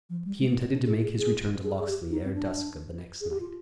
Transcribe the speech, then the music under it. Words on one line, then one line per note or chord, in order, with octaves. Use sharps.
He intended to make his return to Locksley ere dusk of the next night.
F3
G3
G#3
A#3
C4
D4
G#4
G#4
G#4
G#4
G#4
G4
D#4
C4
D4
G#4
G4
F4